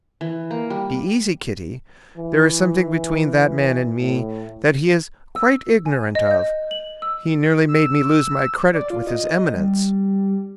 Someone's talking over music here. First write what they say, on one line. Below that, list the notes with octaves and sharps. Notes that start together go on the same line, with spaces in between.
Be easy, Kitty, there is something between that man and me that he is quite ignorant of: he nearly made me lose my credit with his Eminence.
E3
A#3
G3
E3
A2
E6
G#5
D#5
G6
F#7
E6
E6
D5
F4
D#5
G3